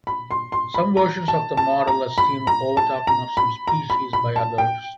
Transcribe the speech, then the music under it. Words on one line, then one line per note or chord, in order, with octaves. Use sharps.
Some versions of the model assume overtopping of some species by others.
B5
C6
C6
B5
A#5
A5
A5
A#5
B5
A#5
A5
A#5
B5
A#5
B5
B5
A5
G5